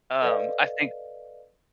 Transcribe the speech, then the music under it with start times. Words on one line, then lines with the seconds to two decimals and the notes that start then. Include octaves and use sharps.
um, I think
0.22 A4 B4 D5 D#5 F5